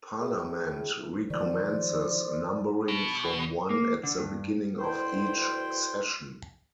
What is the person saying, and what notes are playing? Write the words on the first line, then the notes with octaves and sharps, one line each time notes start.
Parliament recommences numbering from one at the beginning of each session.
A2 G#4
D#3 F3 C5 D5
B2
A#3
D3
G2
D2 B2 E4 C5 G5 C6